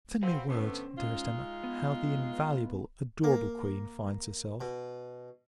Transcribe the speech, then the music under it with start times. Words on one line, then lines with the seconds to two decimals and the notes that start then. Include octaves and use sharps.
Send me word, Dearest Emma! how the invaluable, adorable Queen, finds herself.
0.23 C4 F#4 B4 F5
0.49 D3 A3 B3 C#4 C5
0.98 G#3 D#4 F4
1.64 B3
3.24 A#3
4.61 B2